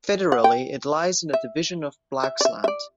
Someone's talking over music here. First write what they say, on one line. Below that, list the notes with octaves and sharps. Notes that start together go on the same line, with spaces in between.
Federally, it lies in the division of Blaxland.
F#5
G5
E5
E5
D5
E5
E5
D5